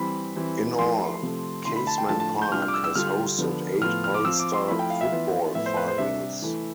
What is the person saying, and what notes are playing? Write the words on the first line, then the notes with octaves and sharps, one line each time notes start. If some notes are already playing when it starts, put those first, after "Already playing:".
In all, Casement Park has hosted eight Ulster football finals.
Already playing: E3 G3 C4 B5
E3 G3 C4 E4
F3 A3 E4 C6
C3 F3 A3
D3 A3 E4 C6
B5
A5
G5
A2 F3 A3 D4 F4 A5
A5
G6
C3 G3 D4 F4 F6
F6
D6
E6
E6
D3 G3 D4 F4 F6
D3 F3 B3
A2 F3 B3 F4 F6
F6
D6
F3 C4 F4 E6
D6
C6
F3 A3 E4 B5
G5
F5
E5
E3 B3 F4
A2 F3 B3 E4 E5
C5
B4
C5
C3 G3 D4 E5
E3 A3 E4